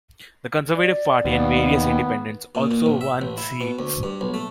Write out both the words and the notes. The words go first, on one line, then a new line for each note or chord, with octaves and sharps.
The Conservative Party and various independents also won seats.
D5
D#2 B3
A#2
A#2
A1
E5
A1
E4
B2
D2
G2
B1
A3